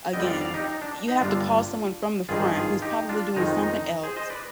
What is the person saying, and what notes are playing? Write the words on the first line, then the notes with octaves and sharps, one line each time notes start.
again, you have to call someone from the front who's probably doing something else
F2 D3 G3 B3 D#5 G5
D5 F5
D5 F5
D#4 G4
D#4
D4
D#4
G1 G2 D3 D4 F4
G#1 G2 D#3 F4 G#4
F4 G#4
D#4 G4
D4 F4
F2 D#3 G#3 D#4
D#4
G#4 C5
C5 D#5
B4 D5